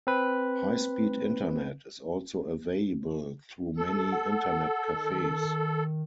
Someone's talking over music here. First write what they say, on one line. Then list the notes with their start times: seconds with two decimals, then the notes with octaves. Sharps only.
High-speed Internet is also available through many Internet cafes.
0.07 C4 B4
3.77 A4
4.12 F#5
4.96 D#3